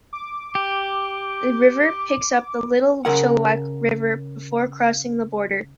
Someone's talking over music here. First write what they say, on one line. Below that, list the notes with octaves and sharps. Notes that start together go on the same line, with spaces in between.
The river picks up the Little Chilliwack River before crossing the border.
D6
G4
C#3 A#4 F#5